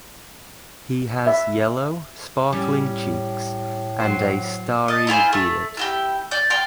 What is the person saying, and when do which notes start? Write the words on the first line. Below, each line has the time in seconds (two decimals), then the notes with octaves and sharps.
He has yellow, sparkling cheeks and a starry beard.
1.27 E5
2.52 A2 G3 C#4
4.00 F#3 C5
4.88 D#5 A5
5.07 E4 F4 G#4 C5
5.33 A3
5.77 E4 F#4 G4
6.31 D5 G6
6.50 F5 G5 C6